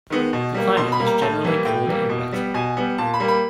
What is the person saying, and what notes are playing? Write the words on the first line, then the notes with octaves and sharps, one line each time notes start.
The climate is generally cold and wet.
D#3 G#3 B3
B2
G3 A#3
B2 C6
B5
G3 A#3
A#5
A2 A5
E3 G3 A#3
A2 G5
E3 G3 A#3
B2
G3 B3
B2 G#5
G3 B3
A#2 A5
B5
G3 A#3
B5